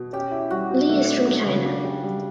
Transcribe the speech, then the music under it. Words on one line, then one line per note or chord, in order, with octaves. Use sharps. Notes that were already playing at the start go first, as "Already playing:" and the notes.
Li is from China.
Already playing: B2
C#4 G4
E4
G3 F#4
B2
A3
D4
F#3
C#3
D4
G4
G3